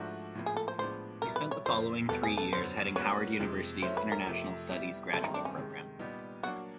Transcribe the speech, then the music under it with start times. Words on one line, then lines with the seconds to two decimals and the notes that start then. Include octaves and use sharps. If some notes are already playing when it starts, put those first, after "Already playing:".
He spent the following three years heading Howard University‘s international studies graduate program.
Already playing: G#2 F3 A3 D4 F#4
0.35 A2 F3 A#3
0.46 G#4
0.57 A4
0.68 C5
0.78 A2 F3 G#3 B3 D4 C5
1.22 B2 G3 B3 E4 A#4
1.36 B4
1.51 C#5
1.66 F2 D3 F3 A#3 C5
2.09 E2 B2 G3 B3 A4
2.23 G#4
2.38 A4
2.53 F#2 D3 F#3 B3 C5
2.96 G3 A#3 C#4 F#4 B4 C#5
3.40 F2 C3 F3 G#3
3.82 F#3 A3 C#4 E4 C5
3.97 B4
4.12 A#4
4.26 F2 C3 F3 A3
4.69 G3 B3 E4
5.13 G2 D#3 F#3 A3 C4 A4
5.24 D#4
5.34 D4
5.45 C#4
5.56 C3 D#3 G#3
5.99 A#2 G3 B3 D#4
6.43 F#3 A#3 D4 F#4